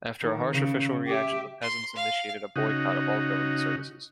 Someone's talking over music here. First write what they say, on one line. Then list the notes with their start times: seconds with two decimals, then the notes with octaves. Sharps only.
After a harsh official reaction, the peasants initiated a boycott of all government services.
0.22 D#3
0.53 C#3
1.07 G4 E5
1.62 C6
1.96 F5
2.56 C#3 D#4 F#4